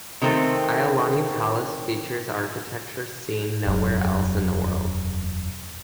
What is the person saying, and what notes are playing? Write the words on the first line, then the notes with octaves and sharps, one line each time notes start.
Iolani Palace features architecture seen nowhere else in the world.
C3 D#3 A3 C4 A4
E1 F#2